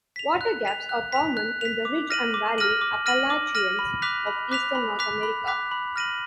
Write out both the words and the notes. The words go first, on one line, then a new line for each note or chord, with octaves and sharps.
Water gaps are common in the Ridge-and-Valley Appalachians of eastern North America.
B6 F7
F#6
B6 F7
F#6
B6 F7
F#6
B6 F7
D6
F6 A#6 D#7 F#7
D6
F6 A#6 D#7 F#7
D6
F6 A#6 D#7 F#7
D6
F6 A#6 D#7 F#7
B5
D6 F#6 B6 F7
B5
D6 F#6 B6 F7
B5
D6 F#6 B6 F7
B5
D6 F#6 B6 F7
B5
F6 A#6 D#7 F#7